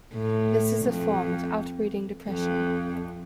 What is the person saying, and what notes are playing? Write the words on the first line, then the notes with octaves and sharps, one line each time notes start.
This is a form of outbreeding depression.
A2
F2
F2